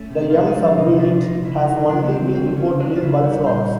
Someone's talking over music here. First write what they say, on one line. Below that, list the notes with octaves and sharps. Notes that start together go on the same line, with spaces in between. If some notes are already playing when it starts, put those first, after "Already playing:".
The M subunit has only been reported in bullfrogs.
Already playing: A3 C#4
C3
F4
F3
E4
D#4
F3 D4
C3 D#4
F3 D4
C3 D#4
C#3 E4
F#3 D#4
C#3 D4
B3
C#3 C4
C#3 C4
C#3 C#4
F#3 D4
F4
C#3 E4
G3 F#4
A#2 C5